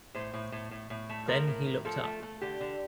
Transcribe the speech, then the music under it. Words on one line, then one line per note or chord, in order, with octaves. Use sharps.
Then he looked up.
A2 C5
A2
A2
A2
A2
A3
F3 A#4
A2
A2
F3 A4
A3
A3
D3 G4
D3